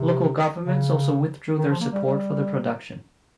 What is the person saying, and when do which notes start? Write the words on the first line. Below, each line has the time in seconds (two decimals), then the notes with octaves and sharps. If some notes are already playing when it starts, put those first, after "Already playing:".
Local governments also withdrew their support for the production.
Already playing: C3
0.65 C#3
1.58 D#3
1.69 F3
1.80 A#3
1.92 G3
2.04 G3